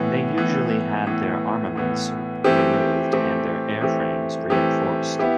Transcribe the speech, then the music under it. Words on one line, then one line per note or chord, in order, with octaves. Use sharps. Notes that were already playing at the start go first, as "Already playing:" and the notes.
They usually had their armaments removed and their airframes reinforced.
Already playing: A2 E3 B3
A2 E3 B3
A2 E3 B3
A2 E3 B3
E3 A3 C4 G4
E3 A3 C4 G4
E3 A3 C4 G4
E3 A3 C4 G4
B3 E4 G4